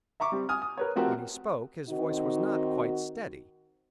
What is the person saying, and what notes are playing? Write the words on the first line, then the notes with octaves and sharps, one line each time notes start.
When he spoke his voice was not quite steady.
E5 A#5 C#6 D6
G3 C4
G#5 D#6 F6
D#6
A#4 B4 C#5
F3 A3 C4 F#4 G4 A#4
D#3 C4 D#4 F#4